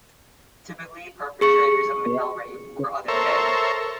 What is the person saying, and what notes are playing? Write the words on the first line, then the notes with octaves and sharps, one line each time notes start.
Typically, perpetrators of male rape were other men.
G#4 C#6 C#7
A4 A#4 C5 C#5 E5